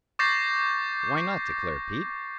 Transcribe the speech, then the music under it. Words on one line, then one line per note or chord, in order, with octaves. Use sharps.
"Why not?" declared Pete.
C#6 D6 G6 A6 A#6 C7